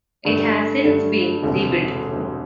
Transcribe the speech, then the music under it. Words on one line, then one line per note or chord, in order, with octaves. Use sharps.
It has since been rebuilt.
G2 D3 A3
G2 D3 A3
E1 D2 C3